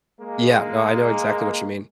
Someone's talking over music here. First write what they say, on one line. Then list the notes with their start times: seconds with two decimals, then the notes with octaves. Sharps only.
Yeah, no, I know exactly what you mean.
0.20 G#3 A#3